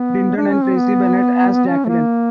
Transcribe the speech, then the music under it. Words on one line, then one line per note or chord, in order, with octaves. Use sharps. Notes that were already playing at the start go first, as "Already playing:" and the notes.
Dindon and Tracie Bennett as Jacqueline.
Already playing: B3
D4
C#4
C4
B3
C#4
A3
A#3